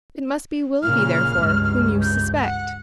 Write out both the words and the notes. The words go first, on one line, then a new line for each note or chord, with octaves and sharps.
It must be Willoughby therefore whom you suspect.
A#2 C#3 F6
C#2 G2
F6
G6
F#5